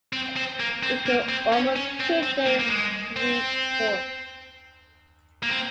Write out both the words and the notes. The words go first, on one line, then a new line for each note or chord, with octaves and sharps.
It took almost two days to reach port.
C4
C4
A#3
C4
A#3
C4
C#4
C#4
C4
C4
A#3
A#3
G#3
C4
A#3
C4